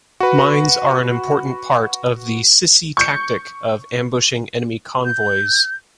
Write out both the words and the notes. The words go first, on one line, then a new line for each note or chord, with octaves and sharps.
Mines are an important part of the Sissi tactic of ambushing enemy convoys.
F#4 B4
C#6 G6 C#7
G6